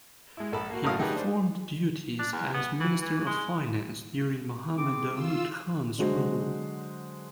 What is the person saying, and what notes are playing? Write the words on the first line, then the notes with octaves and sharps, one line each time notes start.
He performed duties as Minister of Finance during Mohammad Daud Khan's rule.
G#3 E4
A#1 A4 B5
A#3 F#4
A1 F#2 A2 F#3 F5 D#6
A3 D#4 G4 G#4 B4
D4 C5
D4
E2
B3
E3
E3
G#3
C4 G#4 D6
F4 E6
D3 F#3 G#3 F#4 C5